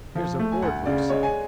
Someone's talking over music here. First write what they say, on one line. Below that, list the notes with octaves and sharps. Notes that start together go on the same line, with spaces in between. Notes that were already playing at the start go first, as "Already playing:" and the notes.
'Here's a board loose.
F3
A3
G#5
D2 F#5
C#3 D5
G#3 C#5
G#5